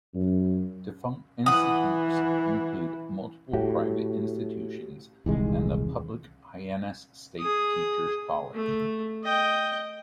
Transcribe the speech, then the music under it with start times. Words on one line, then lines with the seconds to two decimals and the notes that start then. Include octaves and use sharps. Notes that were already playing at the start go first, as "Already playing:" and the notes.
Defunct institutes include multiple private institutions, and the public Hyannis State Teachers College.
0.14 F#2
1.46 E3 F#5 D#6
3.53 A2 F#4 G4
5.26 D#1 C2 D#3 E3 G#3
7.39 G#4 D#6
8.53 A3
9.23 D#5 G5